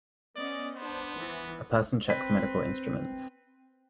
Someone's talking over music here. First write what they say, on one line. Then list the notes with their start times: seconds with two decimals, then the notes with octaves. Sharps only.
A person checks medical instruments.
0.36 B3 C#4 D5 D#5
0.76 B3 D4 C5
1.16 E3
2.10 C4 B4